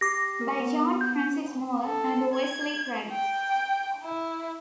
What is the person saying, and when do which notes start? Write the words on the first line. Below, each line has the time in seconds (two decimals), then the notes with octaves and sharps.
By John Francis Moore and Wesley Craig.
0.01 G4 D6 A#6 C7
0.41 A#4
0.60 B3
1.01 G6
1.86 A4
2.34 G#6
3.12 G5
4.04 E4